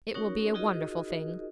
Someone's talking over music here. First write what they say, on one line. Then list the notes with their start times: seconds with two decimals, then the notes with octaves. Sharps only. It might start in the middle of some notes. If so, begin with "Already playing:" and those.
It will be a wonderful thing!'
0.14 C#4 D#4 F#4 A#4 C#5
0.54 D#4 F4 F#4 G#4 A#4 D#5